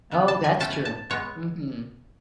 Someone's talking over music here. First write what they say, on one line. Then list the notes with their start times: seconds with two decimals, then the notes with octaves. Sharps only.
Oh, that's true. Mhm.
0.11 C#3 E3 B3
0.28 A5
0.44 G#5
0.60 B2 A3 C#4 A5
0.73 G#5
0.85 A5
1.10 B2 G#3 B3 C#5